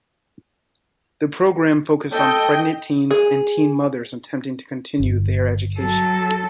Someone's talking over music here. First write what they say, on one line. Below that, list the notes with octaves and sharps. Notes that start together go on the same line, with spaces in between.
The program focused on pregnant teens and teen mothers, attempting to continue their education.
A4 D#5 G5
G#4
G1
F#3 A4